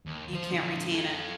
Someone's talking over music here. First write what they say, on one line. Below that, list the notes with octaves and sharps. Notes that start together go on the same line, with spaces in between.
You can't retain it.
D#2
F3 C5
D3 F3
F4 A4